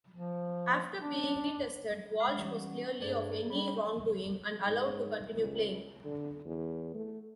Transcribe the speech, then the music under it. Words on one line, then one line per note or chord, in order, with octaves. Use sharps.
After being retested, Walsh was cleared of any wrongdoing and allowed to continue playing.
F3
D4
G#3 B5 F6
E3 G3 C#4 F#5
G2 A3 G#4 A4 D5
G3 B5
G#2
C#2
D3
E2
A3